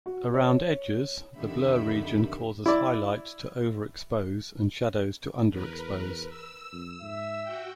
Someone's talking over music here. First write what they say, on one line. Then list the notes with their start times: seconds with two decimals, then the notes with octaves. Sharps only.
Around edges, the blur region causes highlights to overexpose and shadows to underexpose.
0.06 F#4
0.34 C#5
1.37 F2 D3 D#3 G4 E5 B5
2.66 E4 D5
5.52 E2 A#4 B4
6.29 E6
6.72 F2
7.02 G#2 E5
7.43 F#4 G5